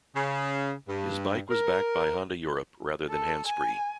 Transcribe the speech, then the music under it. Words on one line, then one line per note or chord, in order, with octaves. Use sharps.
His bike was backed by Honda Europe rather than Hannspree.
C#3
G2
A#4
A4
G#5